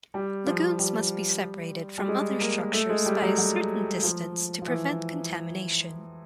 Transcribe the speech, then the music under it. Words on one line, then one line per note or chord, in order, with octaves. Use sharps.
Lagoons must be separated from other structures by a certain distance to prevent contamination.
G3
F3
G3
G3
G#3
A#3
A3
G#3
G3
F#3
F#3
F3
F3
E3